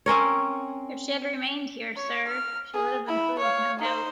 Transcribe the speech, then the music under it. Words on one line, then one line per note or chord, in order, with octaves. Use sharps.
If she had remained here, sir, she would have improved, no doubt.
C4 C#4 A#4 C#5
C#5
F6
G#4
E4 B5
C#5 F5
D#4 C5